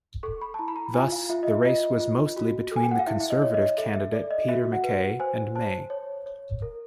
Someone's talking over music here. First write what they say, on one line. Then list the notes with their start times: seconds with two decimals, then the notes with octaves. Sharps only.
Thus, the race was mostly between Conservative candidate Peter MacKay and May.
0.23 A4 C#6
0.41 B5
0.54 A5
0.59 E4 A#5
0.68 B5
0.76 A#5
0.94 F4 G#5
1.12 F5
1.29 F4 E5
1.43 D#5
1.48 E5
1.65 F4 D#5
2.00 F4
2.37 F#4
2.71 A4 G#5
2.83 G5
2.91 F#5
2.99 F5
3.07 E4 E5
3.20 E5
3.30 D#5
3.42 C#5
3.54 D#5
3.78 A4 E5
3.95 E5
4.13 A4 D5
4.31 D#5
4.48 F#4 E5
4.72 F#5
4.84 B4
4.95 F#5
5.20 C5 G#5
5.55 C5 A5
5.90 C#5
6.26 C#5
6.62 A#4